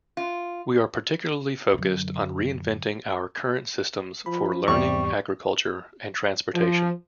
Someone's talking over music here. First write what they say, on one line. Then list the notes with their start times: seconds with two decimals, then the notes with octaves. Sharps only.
We are particularly focused on reinventing our current systems for learning, agriculture, and transportation.
0.17 F4
1.74 F#2 D3
4.26 F3 B5
4.68 E2 G#2 C3 G3 C#6
6.55 F3